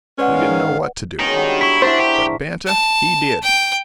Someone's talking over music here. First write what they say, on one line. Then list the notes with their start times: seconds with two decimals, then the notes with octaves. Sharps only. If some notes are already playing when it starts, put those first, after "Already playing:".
We didn't know what to do, but Banta he did.
0.18 G#3 C#4 B4 D5 F#5
0.34 G#2 D#3 F5
1.19 B2 D#3 G#3 C#4 D#4
1.34 D3 G3
1.61 D#4 E4 F#4 C#6 B6
1.82 D4 E4 A#4 C5
1.99 D4 G4 G#4 A#4
2.67 A5
3.43 G5